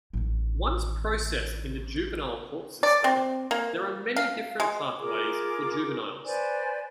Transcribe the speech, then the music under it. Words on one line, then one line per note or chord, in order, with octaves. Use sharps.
Once processed in the juvenile court system there are many different pathways for juveniles.
A1 D#3
D5
C4
A#3
F5
G#3
F4 G#4 A#4 D6
B4 C5 D5 G#5